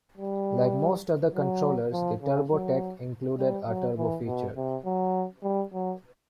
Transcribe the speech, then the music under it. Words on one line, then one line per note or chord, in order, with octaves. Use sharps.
Like most other controllers, the Turbo Tech included a turbo feature.
G3
F#3
F3
C#3
F#3
G3
F#3
E3
B2
C3
F#3
G3
F#3